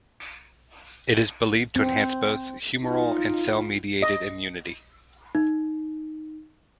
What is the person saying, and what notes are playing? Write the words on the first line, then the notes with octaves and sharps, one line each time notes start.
It is believed to enhance both humoral and cell-mediated immunity.
C4
D#4 F4
D#5
D#4